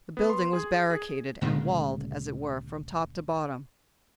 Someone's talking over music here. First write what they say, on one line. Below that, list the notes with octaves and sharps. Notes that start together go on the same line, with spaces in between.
The building was barricaded, and walled, as it were, from top to bottom.
B3
C6
G#4
G#4
D2 A#2 C#3 G#3